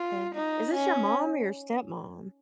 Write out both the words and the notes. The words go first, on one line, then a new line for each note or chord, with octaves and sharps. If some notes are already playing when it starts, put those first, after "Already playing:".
god. Is this your mom or your stepmom?
Already playing: F4
D#4
C#4